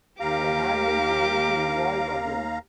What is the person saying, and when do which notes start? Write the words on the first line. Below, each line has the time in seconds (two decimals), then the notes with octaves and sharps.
The handle began to revolve again.
0.20 D#2 G4 F5 A#5 D6